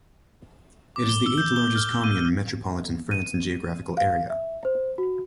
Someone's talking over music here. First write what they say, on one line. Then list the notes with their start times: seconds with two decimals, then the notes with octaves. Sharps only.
It is the eighth-largest commune in metropolitan France in geographical area.
0.96 D6
1.09 G7
1.26 E6
1.38 G6
1.56 G7
1.76 F6
2.04 D#7
3.11 D#7
3.97 F5
4.30 E5
4.65 C5
4.98 F#4